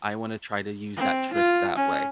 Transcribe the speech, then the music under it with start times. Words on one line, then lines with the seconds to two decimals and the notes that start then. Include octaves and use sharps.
I wanna try to use that trick that way."
0.97 C4
1.33 F4
1.76 C#4